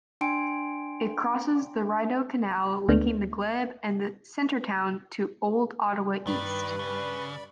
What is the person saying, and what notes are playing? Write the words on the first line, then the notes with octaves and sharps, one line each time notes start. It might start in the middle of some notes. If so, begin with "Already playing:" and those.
It crosses the Rideau Canal linking the Glebe and Centretown to Old Ottawa East.
D4 G5 G#5 C6 D7
D2 A3 B3 D4
G2 D#3 G3 B4 D5 B5
C#3